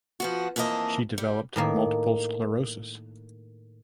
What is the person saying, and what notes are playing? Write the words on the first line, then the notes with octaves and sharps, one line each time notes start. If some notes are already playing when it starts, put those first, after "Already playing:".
She developed multiple sclerosis.
F3 B3 F#4
F2 E3 A#3 B3 D#5 A5
G3
A2 D#3 A#3